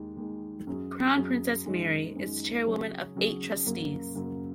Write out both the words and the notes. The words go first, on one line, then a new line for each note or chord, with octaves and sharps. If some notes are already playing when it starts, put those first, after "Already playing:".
Crown Princess Mary is the chairwoman of eight trustees.
Already playing: D#2 D#3 G#3
D#2 D#3 G#3
F#2 F#3 C#4 G#4
F#2 F#3 C#4 G#4
F#2 D#3 G#3 D#4
F#2 D#3 G#3 D#4
C#3 F#3 C#4 G#4 C#5
C#3 F#3 C#4 G#4 C#5
F#2 C#3 F#3 A#3
F#2 C#3 F#3 A#3